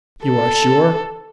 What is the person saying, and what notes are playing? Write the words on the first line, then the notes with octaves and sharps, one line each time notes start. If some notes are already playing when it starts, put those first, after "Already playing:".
"You are sure?"
A4